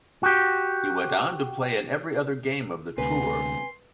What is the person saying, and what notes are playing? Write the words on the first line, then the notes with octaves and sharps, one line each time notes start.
He went on to play in every other game of the tour.
F#4 G4
D2 C3 B4 G#5 C6